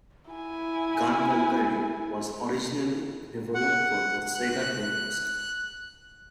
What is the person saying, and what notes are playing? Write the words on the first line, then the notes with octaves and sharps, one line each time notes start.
"GunValkyrie" was originally developed for the Sega Dreamcast.
E4 G#5
F#5
F#6